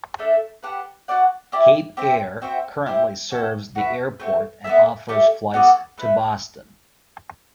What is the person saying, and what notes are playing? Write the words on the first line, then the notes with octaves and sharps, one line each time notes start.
Cape Air currently serves the airport and offers flights to Boston.
A3 D4 A4 E5
G4 B4 F#5 A5
F#4 B4 D5 F#5
E4 G4 D5
C4 G4 C5 E5
C4 F#4 C5 E5
E4 G4 C5
C4 F#4 A4 E5
F#4 B4 E5
A3 C4 F#4
B3 E4 A4 E5
A3 D4 G4
B3 F#4 A4 D5
A3 E4 B4